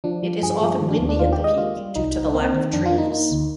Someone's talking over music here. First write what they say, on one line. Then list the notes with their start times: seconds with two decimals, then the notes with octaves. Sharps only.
It is often windy at the peak, due to the lack of trees.
0.04 F3 D4
0.23 F3
0.42 G2 G#4
0.62 F3
0.80 D#3
0.90 D4
1.00 D#2
1.09 D4
1.19 D#3 F4
1.32 G4
1.38 G#3
1.44 D#5
1.57 A#3 F4
1.77 G3
1.95 C2 D#4
2.15 C2
2.28 D4
2.34 A#3 C4
2.53 D#3
2.73 F2 D4
2.85 F4
2.92 A#3
2.98 D#4
3.11 A#3 D#4
3.31 D2